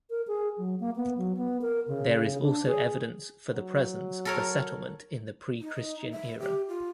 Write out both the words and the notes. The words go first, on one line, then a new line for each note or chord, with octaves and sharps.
There is also evidence for the presence of a settlement in the pre-Christian era.
A#4
G#4
F#3
A#3
B3
F#3
B3
A#4
C#3
D4
G#4
F#3
A4 A#4 C#5
D#4
E5
G4
F4